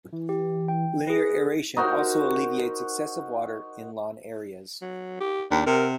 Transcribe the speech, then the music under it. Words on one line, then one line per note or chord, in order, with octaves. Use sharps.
Linear aeration also alleviates excessive water in lawn areas.
E3
G4
G5
G#4 B4 A#6
D#4 F#4 A#4 C5
F#3
G4
D#2 D4
C3 A#4